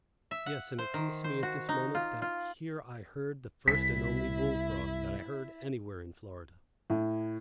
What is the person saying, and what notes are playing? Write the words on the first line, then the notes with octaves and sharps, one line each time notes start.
Yes, and it comes to me at this moment that here I heard the first and only bull-frog that I heard anywhere in Florida.
E5
F#5
C5
D#3
C5
F#4
D#4
F4
F4
C2 E4 E5 B6
A2